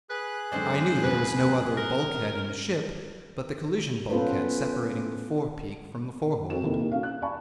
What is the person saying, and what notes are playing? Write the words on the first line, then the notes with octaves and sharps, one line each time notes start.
I knew there was no other bulkhead in the ship but the collision bulkhead separating the forepeak from the forehold.
G#4 B4 F#6
F#2 D3 G#3 C4 C#4 C5 D5
D#2 B4
A#4 A#6
B3 C#4 F4 A4 B4 C5
C4 F#4 E7
C3 D#3 E3 A#3 E4 A4
A#2 A#3 D#4 G4
C#4 F#4 F5
F#6
D5 F5 G#5 A5 B5 C#6